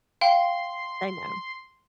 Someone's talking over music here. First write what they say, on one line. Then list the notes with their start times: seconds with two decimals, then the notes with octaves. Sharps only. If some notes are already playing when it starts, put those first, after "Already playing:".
they know.
0.21 F5 G5 C6